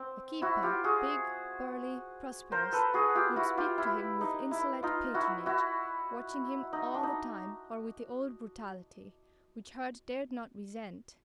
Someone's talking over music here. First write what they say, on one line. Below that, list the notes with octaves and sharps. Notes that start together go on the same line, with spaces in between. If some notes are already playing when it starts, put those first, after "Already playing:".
The keeper--big, burly, prosperous--would speak to him with insolent patronage, watching him all the time, or with the old brutality, which Hurd dared not resent.
Already playing: C4
E4 F#4
F4 G4
F#4 G#4
A#4 C5
A4 B4
F#4 G#4
F4 G4
E4 F#4
F4 G4
E4
D#4
E4
D#4 F4
E4 F#4
E4 F#4
D#4
D4
D#4